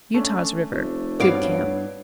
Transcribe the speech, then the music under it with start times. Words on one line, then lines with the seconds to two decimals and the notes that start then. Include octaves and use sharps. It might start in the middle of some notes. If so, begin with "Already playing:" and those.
Utah's River.--Good camp.
0.14 A3 C#4 D4
0.72 F1
1.20 G2 B3 E4 F#4 C#5 D5 F5